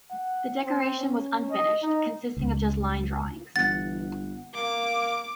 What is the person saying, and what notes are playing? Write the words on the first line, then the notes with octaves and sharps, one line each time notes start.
The decoration was unfinished, consisting of just line drawings.
F#5
C4
C#4
D#5
D#4
C#2
G1 E3 F#5 A6
A#3 D6